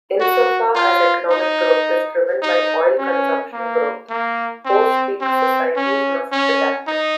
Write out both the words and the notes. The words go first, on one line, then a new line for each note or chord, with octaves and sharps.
Insofar as economic growth is driven by oil consumption growth, post-peak societies must adapt.
F#4
F4
D#4
D#4
C#4
A#3
A#3
C4
C4
C#4
C#4
D#4